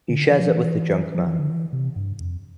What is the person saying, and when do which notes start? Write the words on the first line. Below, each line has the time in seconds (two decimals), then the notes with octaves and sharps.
He shares it with the junkman.
0.08 D3
0.31 E3
0.40 F3
0.48 E3
1.14 F3
1.26 E3
1.39 D3
1.49 E3
1.73 C3
1.96 G2
2.20 F2